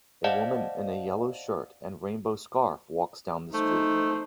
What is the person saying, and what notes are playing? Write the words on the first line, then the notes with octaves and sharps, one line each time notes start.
A woman in a yellow shirt and a rainbow scarf walks down the street.
C5 D5 D#5 F5 F#5 A5
A3 D#4 C5